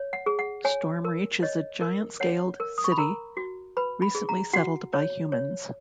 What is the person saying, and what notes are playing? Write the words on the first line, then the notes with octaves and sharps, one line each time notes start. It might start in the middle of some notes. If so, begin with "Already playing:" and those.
Stormreach is a giant-scaled city, recently settled by humans.
Already playing: C#5
F#5
G#4
F#5
C#5 G#5
A#4
C#5 D#5
A#4
C#5 F#5
A#4
D#6
C#6
B5
A#4 A#5
F#4
B4 B5
B5
G#4
A#5
F#4 F#5
C#5
C#5